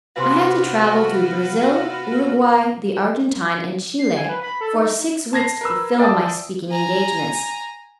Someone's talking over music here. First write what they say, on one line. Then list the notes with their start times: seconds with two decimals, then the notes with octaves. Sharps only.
I had to travel through Brazil, Uruguay, the Argentine, and Chile for six weeks to fulfil my speaking engagements.
0.16 C3 B3 F4 F#4 B4 F5 G#5 C6
1.80 B5 E6
3.99 C7
4.16 G#5
4.29 B4
4.43 B5
4.61 A4
4.73 D#4
5.33 A5 G#6 A#6 C7
5.61 A#4 B4 E6
6.00 D5 G5 A5 D#6
6.70 G#5 A#5